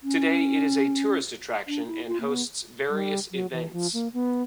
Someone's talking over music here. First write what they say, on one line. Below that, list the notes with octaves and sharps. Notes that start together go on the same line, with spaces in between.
Today, it is a tourist attraction and hosts various events.
C#4
D4
E4
F4
A#3
B3
G3
F#3
E3
F3
A#3
B3